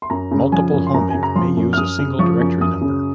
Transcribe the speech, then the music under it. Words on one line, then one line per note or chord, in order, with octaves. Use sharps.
Multiple homing may use a single directory number.
C6
F#2 A#5
C#3
F3 G#5
F#2
C6
F#2 A#5
C#3 G#5
A#5
F3 C6
F#2
F6
F#2 D#6
C#3
F3 C#6
F#2
F#2 D#6
C#3